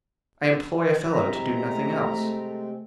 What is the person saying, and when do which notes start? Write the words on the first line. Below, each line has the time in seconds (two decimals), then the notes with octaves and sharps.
I employ a fellow to do nothing else.
1.10 C3 G#3 C4 E4 E5 A#5
1.67 A3